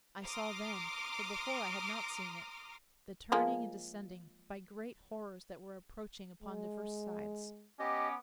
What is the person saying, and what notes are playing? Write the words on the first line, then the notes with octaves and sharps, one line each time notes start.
I saw then, for before I had not seen it, The turning and descending, by great horrors That were approaching upon divers sides.
A#5 C6 D6 D#6 F6
F3 G#3 A#3
G#3
B3 C#4 G4 D#5 D6